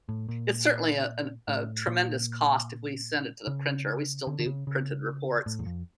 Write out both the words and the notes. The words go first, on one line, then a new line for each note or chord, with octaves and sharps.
it's certainly, uh, an, uh, tremendous cost if we send it to the printer- we still do printed reports-
A2
A#2
A2
A#2
C#3
D3
D3
C#3
C#3
A2
E2
F2